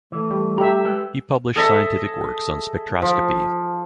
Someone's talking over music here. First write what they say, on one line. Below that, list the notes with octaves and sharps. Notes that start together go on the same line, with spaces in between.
He published scientific works on spectroscopy.
E3 A3
G3
G4 E5 A#5
G#3 A4 B4
G#4 A4 D#5 E5
F3